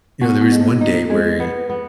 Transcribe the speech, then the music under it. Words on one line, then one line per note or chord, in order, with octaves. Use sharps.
you know, there was one day where he
B3 F#4
B3
G#3
A#3
D#4
G#3
B3
B3